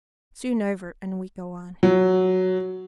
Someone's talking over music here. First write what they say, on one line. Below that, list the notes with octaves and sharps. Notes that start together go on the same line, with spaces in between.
Soon over and we go on.
F#3